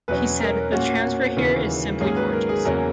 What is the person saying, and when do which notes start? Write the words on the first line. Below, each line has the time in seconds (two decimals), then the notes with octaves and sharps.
He said, the transfer here is simply gorgeous.
0.08 E2 B2 F#3 C#4 B4
0.40 A#4
0.72 A#2 A#3 C#4 F#4
1.37 D#2 C#3 E3
2.00 G#2 D#3 F#3 A#3 C#4 G#4
2.16 B4
2.33 A#4
2.49 G#4
2.65 E2 C#3 F#3 A#3 C#4 A#4